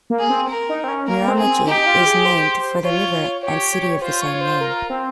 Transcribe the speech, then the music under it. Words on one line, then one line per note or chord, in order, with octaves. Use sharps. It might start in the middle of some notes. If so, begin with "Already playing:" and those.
Miramichi is named for the river and city of the same name.
A#3
G#4
C4
A#4
D#4
C4
C#4
A#3 A#4
C4
G#4
C4
D#4 G4
F4
G#4
C5
F4 C#5
G4 C#5
C#5
F4 C5
C#5
C5
A#4
C4